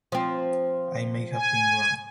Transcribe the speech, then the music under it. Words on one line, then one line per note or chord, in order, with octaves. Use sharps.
I may have been wrong.
F3 C4
G#5